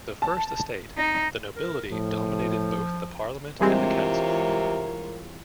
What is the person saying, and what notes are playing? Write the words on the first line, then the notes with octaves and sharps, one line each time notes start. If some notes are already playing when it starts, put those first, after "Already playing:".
The first Estate, the nobility, dominated both the parliament and the council.
A5
D#4
A#4
A2 F3
G2 C3 E3 G#3 C4 F4 A#4 C#5